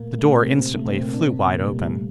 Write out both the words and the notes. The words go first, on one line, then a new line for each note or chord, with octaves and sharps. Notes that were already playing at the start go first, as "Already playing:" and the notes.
The door instantly flew wide open.
Already playing: A#2 A3 A#3
A3
A#3
C3 C4
C3 C4
A3
C4
A#2 A#3
D4
C3 C4
A#2 A#3
G3
A3